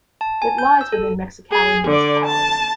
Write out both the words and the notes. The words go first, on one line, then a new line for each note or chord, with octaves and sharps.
It lies within Mexicali Municipality.
A5
G#5
G6
E6
A4
G#4
D3 D5
A5